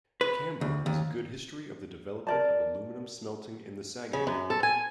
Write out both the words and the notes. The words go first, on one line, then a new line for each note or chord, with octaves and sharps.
Campbell is a good history of the development of aluminum smelting in the Saguenay.
B4
D2
D#2
A#4 D5 A5
C#3
F#2
A4
G#5